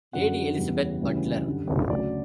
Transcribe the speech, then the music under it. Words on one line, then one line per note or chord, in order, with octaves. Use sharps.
Lady Elizabeth Butler.
F#2 D3 F#3 F#5
E2 C#3 E3 G3
D2 C#3 E3 G3
F#2 D3 G3
D2 C#3 F#3 D5